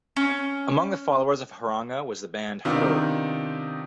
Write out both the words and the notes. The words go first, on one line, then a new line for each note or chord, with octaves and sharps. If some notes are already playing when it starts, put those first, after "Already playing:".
Among the followers of Haranga was the band Hurd.
C#4
C3 D#3 B3 D4 D#4 F4